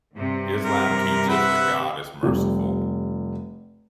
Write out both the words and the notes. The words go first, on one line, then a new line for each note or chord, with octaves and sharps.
Islam teaches that God is Merciful.
G2 C3
A#4
B4 E5 F#5
F1 G3